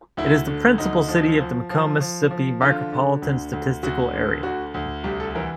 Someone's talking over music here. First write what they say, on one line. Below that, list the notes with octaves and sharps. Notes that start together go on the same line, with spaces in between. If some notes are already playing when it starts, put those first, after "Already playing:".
It is the principal city of the McComb, Mississippi Micropolitan Statistical Area.
D2 E4
D3
D2 D#4
F3
F3
F3
F3
F3
D3 F4
D3
D2
D2
D2 F#4
D3
D2 F#4
D2
C2 G4
A4
E3 A#4